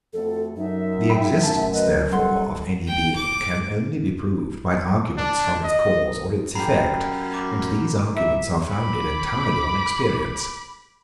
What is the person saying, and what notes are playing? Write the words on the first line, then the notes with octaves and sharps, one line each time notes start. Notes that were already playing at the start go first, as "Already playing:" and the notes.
The existence, therefore, of any being can only be proved by arguments from its cause or its effect; and these arguments are founded entirely on experience.
F2 A3 F#4 A4
F#2 D#4 E5
G5 B5
D2 A5
B4 D#5
G2 A4 F#5 C6
G5
D6
D4
D#5
F#2 G4 G#4 A#5 B5 C7
D6
E4 E5
B5 D6